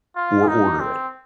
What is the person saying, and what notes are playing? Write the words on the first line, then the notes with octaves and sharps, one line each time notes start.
or order it.
F4
D#4
C4